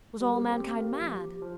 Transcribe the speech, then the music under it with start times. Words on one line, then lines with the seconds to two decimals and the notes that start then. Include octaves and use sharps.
Was all mankind mad!
0.20 G3 G4
0.29 A#4
0.38 G4
0.46 C4
0.74 A#3
1.01 F3
1.42 F3